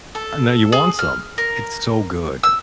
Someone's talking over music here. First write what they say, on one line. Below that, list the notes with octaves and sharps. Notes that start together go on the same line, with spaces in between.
And now you want some, it's so good,
A4
G#4
F6
A#4
E6